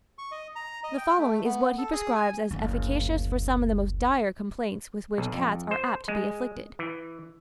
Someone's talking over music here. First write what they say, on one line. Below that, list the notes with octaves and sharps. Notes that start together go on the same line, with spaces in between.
The following is what he prescribes as efficacious for some of the most dire complaints with which cats are apt to be afflicted.
C#6
D#5
A#5
D#5
G5
A3
B3
A4
G#4
G#5
F#1 D2
B1
F2
C5
G#3
E3